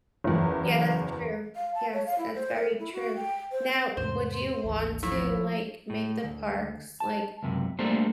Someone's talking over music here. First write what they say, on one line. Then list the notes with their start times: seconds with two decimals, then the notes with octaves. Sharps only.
Yeah, that's true, yes, that's very true, now, would you want to, like, make the parks, like,
0.24 F#1 E2
1.56 F5
1.75 A5
1.93 C#5
2.06 F5
2.19 E4
2.35 C5
2.56 A#4
2.79 E4
2.93 F#4
3.16 G5
3.52 C5
3.97 E2 G#2 C3 C5
4.64 G#1 D2 E3
5.03 A2 F3
5.90 A2
6.24 D2
7.00 A5
7.43 C#2 F#2 C3
7.79 G3 A3 A#3 D4 A4 C5